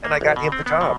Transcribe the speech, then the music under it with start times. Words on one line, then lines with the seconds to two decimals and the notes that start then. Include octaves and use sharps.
and I got him the job.
0.04 A#3
0.21 A#1
0.36 B2
0.52 C4
0.66 B3
0.81 B2